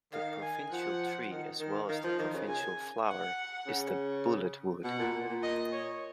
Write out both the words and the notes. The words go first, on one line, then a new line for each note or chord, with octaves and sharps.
The provincial tree as well as the provincial flower is the "bullet wood".
D#3 F5
G#5
F3 F#5
D#3
D#3
D#3 F5
F3
D#3
C#3
G#5
F#5
C#3
B2 F#5
A#2
A#2
A#2
D#5
C#5